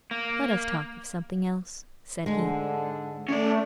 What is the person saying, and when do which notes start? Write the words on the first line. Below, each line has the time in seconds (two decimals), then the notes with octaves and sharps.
"Let us talk of something else," said he.
0.11 A#3
2.26 G#2 D3 G#3
3.29 A3 C#4 D5